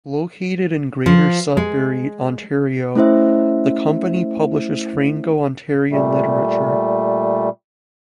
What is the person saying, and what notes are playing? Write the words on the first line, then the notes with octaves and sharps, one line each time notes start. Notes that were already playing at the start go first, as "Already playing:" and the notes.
Located in Greater Sudbury, Ontario, the company publishes Franco-Ontarian literature.
F3
G#3
A3 C#4 E4 C5 E5
A#2 G3 A3